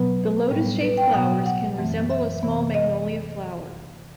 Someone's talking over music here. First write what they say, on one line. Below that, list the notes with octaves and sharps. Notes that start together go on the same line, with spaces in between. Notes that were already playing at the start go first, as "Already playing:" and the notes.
The lotus-shaped flowers can resemble a small magnolia flower.
Already playing: B2 F#3 B3 B4
A2 G3 B3
B4
G5
B2 F#3 B3 F#5
F#5
F#2 E3 A3 C4
E5
C3 E3 B3
D#5